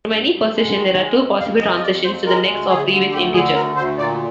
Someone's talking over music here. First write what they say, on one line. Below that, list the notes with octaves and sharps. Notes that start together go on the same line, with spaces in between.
From any position there are two possible transitions, to the next or previous integer.
G2
G2
G#3
D#3
G#3
F2
F2 F5
F2 D#5
D#5
F2 D5
F2 C5
G#3 A#4
D2
D2 G#4
D3
D2 G4
D3 G#4
D2 A#4
D2 C5
A#2 D5